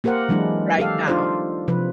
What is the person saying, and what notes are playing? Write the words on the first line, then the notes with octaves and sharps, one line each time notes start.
right now
A#3 G4 A#4 C5 F#5
E3 F#3 G#3 D4 E4
G4 A4 F5
D4 D#4 F4 A4 C5 D5
C3 F3 B4